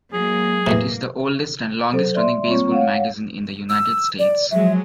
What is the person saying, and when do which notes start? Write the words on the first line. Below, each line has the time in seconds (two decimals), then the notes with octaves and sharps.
It is the oldest and longest-running baseball magazine in the United States.
0.13 F#3 G#3 A#3 G#4
0.67 E2 A2 C3 A#3
1.93 F#3 A4 C5
2.15 D5 E5 C6
2.47 G3 A#3 C4 F4 C#5 C#6
2.72 C#5 F5 F#5
3.69 E6
4.19 D5
4.51 F3 F#3 G#3 E5